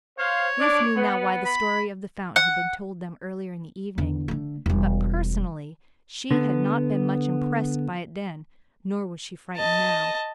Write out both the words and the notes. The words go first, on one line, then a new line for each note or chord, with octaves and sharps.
Ruth knew now why the story of the fountain had been told them earlier in the evening, but personally she had not been much impressed by it then, nor was she frightened now.
C5 C#5 F5
D4 D5
B3
B5
F#5
E2 D3
D3 A3
E1 G3
D3 B3
D#5 A5